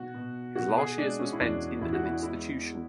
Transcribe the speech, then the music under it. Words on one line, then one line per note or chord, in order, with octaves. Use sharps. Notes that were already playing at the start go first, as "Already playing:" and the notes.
His last years were spent in an institution.
Already playing: B2 F#4
B2
B2 F#4
G#4
G#3 D4
C#4
E4
E2 D4
E2 E4
F#4
E4
G#3 E4